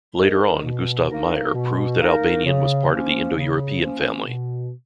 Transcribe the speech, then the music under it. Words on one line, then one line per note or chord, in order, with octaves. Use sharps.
Later on Gustav Meyer proved that Albanian was part of the Indo-European family.
D#4 A#4
B2
A#3 D#4 A#4
B2
A#3 D#4 A#4
C#3
F3 A#3 C#4
C#3
F3 A#3 C#4
B2